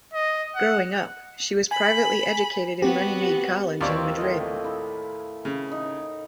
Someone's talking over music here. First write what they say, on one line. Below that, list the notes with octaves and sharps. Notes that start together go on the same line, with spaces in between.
Growing up, she was privately educated at Runnymede College in Madrid.
D#5
F#5
G#5 B5
B3 C4 F#4 G4
D#2 C4 F4 A#4 D5 C#6
A2 D#5
E4 B4
C#3
D#4